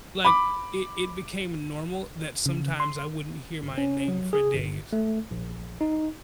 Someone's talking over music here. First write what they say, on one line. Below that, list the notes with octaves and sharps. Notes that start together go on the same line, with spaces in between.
Like it it became normal that sometimes I wouldn't hear my name for days.
B5 D6
C#3
C6
G1
C#4
F#3
G#4
G1
A3
A#1
D#4